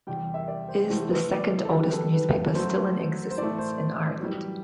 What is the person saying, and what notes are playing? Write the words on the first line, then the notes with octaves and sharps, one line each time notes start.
It is the second oldest newspaper still in existence in Ireland.
E2 C3 G3 G5
E5
D5
C5
E2 C3 E3 A3 C5
B4
D5
A4
F#2 D3 G3 B4
B4
A4
B4
F#2 F#3 A3 C5
C5
A2 E3 A3 D5
C5
F#2 E3 G3